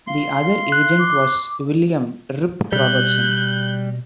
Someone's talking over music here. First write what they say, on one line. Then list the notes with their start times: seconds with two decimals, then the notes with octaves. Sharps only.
The other agent was William "Rip" Robertson.
0.08 F5 C6
0.72 F#6
0.99 D6
2.73 B2 G3 F#6 G6